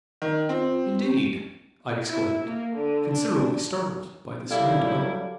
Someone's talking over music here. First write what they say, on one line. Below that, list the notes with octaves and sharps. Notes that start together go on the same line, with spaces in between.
"Indeed!" I exclaimed, considerably startled by this new development.
D#3
C4 F4
C4 C#4 G4
E4
A#3
D3
D4
F#3 G3 A#3 E4 A4 F5 G5